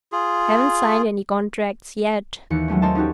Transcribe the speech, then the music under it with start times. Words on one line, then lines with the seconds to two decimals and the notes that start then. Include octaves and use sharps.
'Haven't signed any contracts yet.
0.12 F4 G#4
2.50 D#2 E3 C#7
2.68 F#3 G#3 A3 C#4
2.82 A4 A#4 C5 D#5 A5
2.95 C#4 D#4 F#4 G4